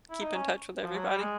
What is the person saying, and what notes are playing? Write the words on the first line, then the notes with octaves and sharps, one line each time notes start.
Keep in touch with everybody.
E4
D#4
C#4
F3
F#3
G3
G#3